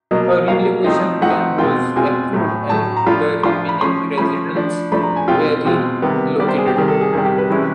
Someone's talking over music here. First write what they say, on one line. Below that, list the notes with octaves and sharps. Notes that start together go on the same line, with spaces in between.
A relocation plan was approved and the remaining residents were relocated.
B2 F#3 A#3 D#5
B2 F#3 A#3 F5
F3 A3 C4 D#4
F3 A3 C4 D#4 F#5
B2 G#3 C4 F4 G5
B2 G#3 C4 F4 G#5
A2 F#3 A3
A2 F#3 A3 A5
A#5
F3 A3 D4 F4 B5
F3 A3 D4 F4 C6
B5
F3 A3 C#4 C6
F3 A3 C#4 B5
F3 A3 D4
F3 A3 D4 B5
A#5
G#5
B2 G#3 C4 F4 G5
B2 G#3 C4 F4
C3 D#3 G3 B3
C3 D#3 G3 B3 D5
C5
G#4
G4
C3 D#3 G3 G#4
A4
G#4
C3 D#3 G3 G#4
G4
B4
C3 E3 G#3 C#4 E4